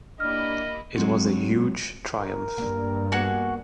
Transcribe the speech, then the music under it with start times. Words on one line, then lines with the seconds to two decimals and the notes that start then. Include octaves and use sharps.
It was a huge triumph.
0.20 A#3 D4 E4 G4 D#5 F6
0.96 F#3 G#3 C4 F4 F#4
2.15 A#4
2.58 G2 A#3
3.12 A#3 B3 F#4 G#4 F#5